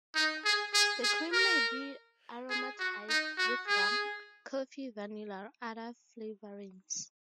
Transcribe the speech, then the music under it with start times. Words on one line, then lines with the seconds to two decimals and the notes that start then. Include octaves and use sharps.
The cream may be aromatized with rum, coffee, vanilla, or other flavorings.
0.16 D#4
0.45 G#4
0.74 G#4
1.03 G#4
1.32 A#4
2.50 G#4
2.79 F#4
3.09 D#4
3.38 F#4
3.67 G#4